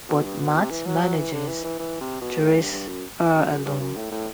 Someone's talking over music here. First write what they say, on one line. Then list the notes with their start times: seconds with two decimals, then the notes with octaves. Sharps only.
But Matt manages to raise her alone.
0.08 B2
0.24 G2
0.40 B2
0.55 C3
0.71 E3
0.86 F#3
1.02 F#3
1.17 E3
1.32 D3
1.48 E3
1.64 E3
1.79 E3
2.01 C3
2.21 B2
2.41 A2
2.57 G2
2.72 G2
2.88 F#2
3.35 F#2
3.65 G2
3.80 F#2
3.96 A2
4.11 A2